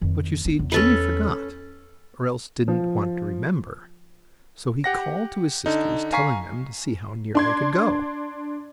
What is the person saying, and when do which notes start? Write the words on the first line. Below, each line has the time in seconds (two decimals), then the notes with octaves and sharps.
But, you see, Jimmie forgot, or else didn't want to remember, so he called to his sisters, telling them to see how near they could go.
0.01 F2 D#3
0.45 B3 D4
0.59 E2
0.72 C#4 A4 B4
2.68 F3
4.84 G4 F#5 A#6
5.66 D3 D#4
6.13 F5 G#5 A#5 C#6 B6 C7
7.35 D4 C6 G#6